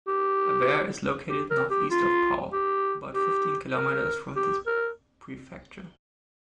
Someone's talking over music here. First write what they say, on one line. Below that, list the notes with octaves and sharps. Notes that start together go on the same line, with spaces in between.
Abère is located northeast of Pau, about fifteen kilometers from this prefecture.
G4
G4
A#4
G4
F4
G4
G4
A#4
G4
A#4